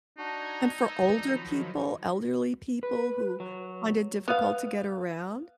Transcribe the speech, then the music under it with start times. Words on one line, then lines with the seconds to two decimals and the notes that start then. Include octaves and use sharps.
and for older people, elderly people who find it difficult to get around,
0.18 D4 D#4 F#4 A#5 G#6
0.66 A5 E6
1.05 D#3 F3 F#3 D5
1.36 B5
2.83 B4
3.40 F#3
4.28 B3 F5